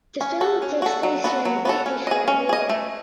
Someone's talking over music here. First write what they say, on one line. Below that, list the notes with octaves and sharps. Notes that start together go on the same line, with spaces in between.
The film takes place during the Great Patriotic War.
C#4
F#4 A4
C#4
F#4 A4
F#3
B3 F#4 A4
F#3
B3 F#4 A4
C#4
G#4 D#5
C#4
G#4 D#5
A3